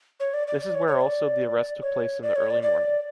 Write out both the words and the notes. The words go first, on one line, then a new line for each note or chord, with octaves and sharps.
This is where also the arrest took place in the early morning.
C#5
D5
D5
D5
C#5
C#5
D5
C#5
D5
C#5
D5
D5